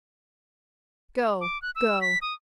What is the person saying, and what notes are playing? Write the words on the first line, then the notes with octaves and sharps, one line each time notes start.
Go! go!
D6
F#6
E6
B6
D#6